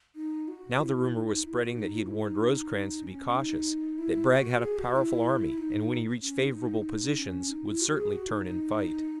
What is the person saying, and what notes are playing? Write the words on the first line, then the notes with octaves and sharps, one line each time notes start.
Now the rumor was spreading that he had warned Rosecrans to be cautious, that Bragg had a powerful army and when he reached favorable positions, would certainly turn and fight.
D#4
F#4
E4
E4
D#4
D#4
E4
F#4
D#4
F#4
E4
D#4
C#4
D#4
E4
F#4
G#4
F#4
E4
E4
D#4
C#4
D#4
D#4
C#4
D#4
E4
F#4
G#4
F#4
D#4
D#4